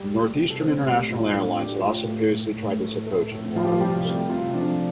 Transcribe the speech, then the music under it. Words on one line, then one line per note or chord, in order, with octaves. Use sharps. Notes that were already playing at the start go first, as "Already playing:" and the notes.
Northeastern International Airlines had also previously tried this approach in New Orleans.
Already playing: G3 G4
A3
C3
A4
A3 C4 C5
A2 G3 G4
A2 F4
A3 D4
A3 G4
F4
A2
A3
A2
A2
A3
A3
A2
F3 F4
G4
F4
C3 G3 G4
A3
C3 F4
F3 D4